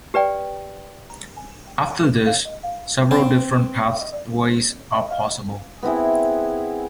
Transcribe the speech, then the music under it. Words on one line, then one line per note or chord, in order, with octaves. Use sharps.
After this, several different pathways are possible.
G4 B4 D5 G5
C4
B3 C4 E4 G#4